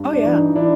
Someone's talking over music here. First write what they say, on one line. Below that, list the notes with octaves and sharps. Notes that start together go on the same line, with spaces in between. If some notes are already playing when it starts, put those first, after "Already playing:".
Oh, yeah.
Already playing: G2
D4
E3
D#4
E3 D4 E4